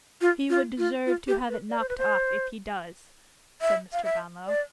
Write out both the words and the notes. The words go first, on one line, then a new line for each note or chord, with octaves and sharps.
'He would deserve to have it knocked off, if he does,' said Mr. Brownlow.
F4
F4
F4
F4
G4
B4
D5
C5
B4
C5
E5
F5
E5
D5